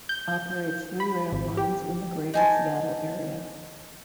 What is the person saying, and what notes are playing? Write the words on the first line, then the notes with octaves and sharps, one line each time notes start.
Operates three rail lines in the greater Seattle area.
G6
B5
G#1
G4
D#4 G#5 A5